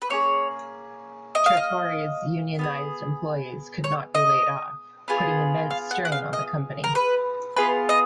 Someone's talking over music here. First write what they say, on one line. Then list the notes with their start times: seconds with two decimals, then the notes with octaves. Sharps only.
Trattori's unionised employees could not be laid off, putting immense strain on the company.
0.02 B4
0.10 A#3 C#4 G#4 C#5
1.35 D#5
1.46 F5
1.57 D#5
2.59 B3 F4 G#4
3.84 C#5
4.15 D#5
5.08 B3 F4 G#4
5.70 F5
5.91 F#5
6.05 F#5
6.12 F5
6.33 D#5
6.84 A#4
6.95 B4
7.57 B3 F4 G#4 B4
7.89 D#5